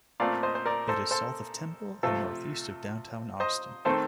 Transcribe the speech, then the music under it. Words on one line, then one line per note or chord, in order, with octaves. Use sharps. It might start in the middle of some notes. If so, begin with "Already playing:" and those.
It is south of Temple and northeast of downtown Austin.
A#2 A3 C4 D5 F5
C5 D#5
C5
A#4 D5
A4 C5
A4 C5
C3 F3 A3 C4 F4 A4
C5 D#5
D#3 A3 C4 A4 C5